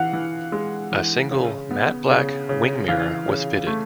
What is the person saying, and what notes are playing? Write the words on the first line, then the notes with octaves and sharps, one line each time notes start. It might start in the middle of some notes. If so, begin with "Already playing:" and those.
A single matte black wing mirror was fitted.
Already playing: E3 F5 F#5
E3
G#3
E3
C#3
B3
C#3
C#3
E3 F5
C#3
A3